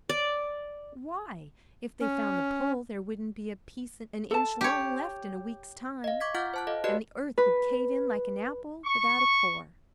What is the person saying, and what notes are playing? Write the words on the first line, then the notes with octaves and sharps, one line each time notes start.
Why, if they found the Pole, there wouldn't be a piece an inch long left in a week's time, and the earth would cave in like an apple without a core!
D5
C#4
A4 A5
G4 C#5
D#5 F5
C#6 D6 G#6 B6
F4 F#5 D6 F6 G6 A6
C5 A5 F#6
A4 D#5 F5
F#4 G4 B4 D5 D#5 F#6
B4
C#6